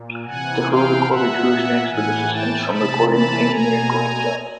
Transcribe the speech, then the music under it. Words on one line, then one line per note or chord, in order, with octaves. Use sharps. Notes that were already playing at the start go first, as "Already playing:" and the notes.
The Who recorded "Who's Next" with assistance from recording engineer Glyn Johns.
Already playing: A#2
C3 E3 F#5 G#5
F5 G5
A#2 E5 F#5
A2 E3 F#5 G#5
G5 A5
C3 E3 A5 B5
A5 B5
B2 G#5 A#5